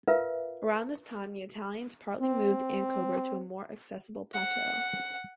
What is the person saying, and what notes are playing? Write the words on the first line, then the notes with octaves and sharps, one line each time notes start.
Around this time the Italians partly moved Ankober to a more accessible plateau.
F4 A#4 B4 E5 F5
C4
F#5